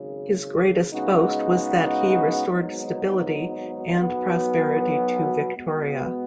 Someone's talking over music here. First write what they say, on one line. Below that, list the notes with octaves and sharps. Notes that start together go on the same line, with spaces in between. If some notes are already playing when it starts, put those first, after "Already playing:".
His greatest boast was that he restored stability and prosperity to Victoria.
Already playing: G#1 F#2 C#3
C#3 G#3 B3 D#4 F#4
G#1 G#2 F#3 B3 D#4
B1 B2 F#3 B3
B2 G#3 B3